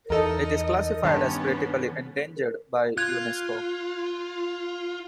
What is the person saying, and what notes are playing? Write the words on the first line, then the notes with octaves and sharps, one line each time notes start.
It is classified as critically endangered by Unesco.
E2 D#4 A4 A#4 D#5
G2 D#3 B3 C#4 C#5 A5
F4 F#6 G#6